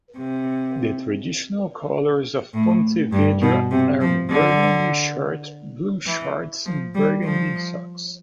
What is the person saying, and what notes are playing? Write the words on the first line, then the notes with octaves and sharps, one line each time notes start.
The traditional colours of Pontevedra are burgundy shirt, blue shorts and burgundy socks.
C3
A2
G2
B2
C3
F3
D3
E3
F3
G3
F3